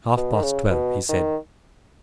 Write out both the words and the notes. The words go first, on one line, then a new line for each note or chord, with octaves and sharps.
"Half-past twelve," he said.
B2
D#3
C#3
B2
D#3